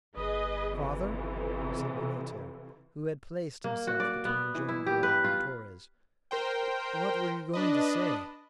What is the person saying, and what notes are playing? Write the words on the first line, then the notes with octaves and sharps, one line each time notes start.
"Father," said Benito, who had placed himself between Joam Garral and Torres, "what were you going to say?"
G1 G#4 B4 D#5
F2 C3 E3
A#3
F#4
D5
B3
E3
E4
G4
B4
F4
A#4 C5 G5
D4 B4 D#5